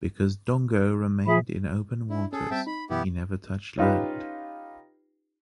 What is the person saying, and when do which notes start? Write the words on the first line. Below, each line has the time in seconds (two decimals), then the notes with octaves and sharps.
Because Dongo remained in open waters, he never touched land.
1.27 F3 G#4 E5 B5
2.10 D4 E4
2.33 C#4 G#4 A4
2.51 G3 C4 E5 G5 A5
2.67 D#4 B5
2.90 F#2 B2 E3 B3 E4 G4
3.78 C#4 D#4 F4 G4 B4